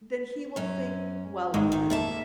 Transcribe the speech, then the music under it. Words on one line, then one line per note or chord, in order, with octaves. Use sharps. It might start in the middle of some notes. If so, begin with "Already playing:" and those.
then he will think well of you,
F#2 C#4
G#1 G#2 D#3 G#3
E2 D#3
F2 A#3 E5 A5